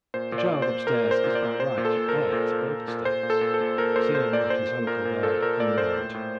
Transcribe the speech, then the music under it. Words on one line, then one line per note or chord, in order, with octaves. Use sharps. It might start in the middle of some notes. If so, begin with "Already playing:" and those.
The child upstairs is by right heir to both estates, seeing that his uncle died unmarried.
A#2 C5
A#2
D5
A#2
C5
A#2
A#2 A#4
A#2
C5
A#2
D5
A#2
A#2 C5
A#2
A4
A#2
A#4
A#2
A#2
A#2
A#2
A#2
A#2 C5
A#2
A4
A#2
A4
A#2
A#2 A#4
A#2 C5
A#2 C5
A#2 D5
A#2 C5
A#2
A#2 A#4
A#2
A#2 A4
A#2 A#4
A#2 D5
A#2 C5
A2
A2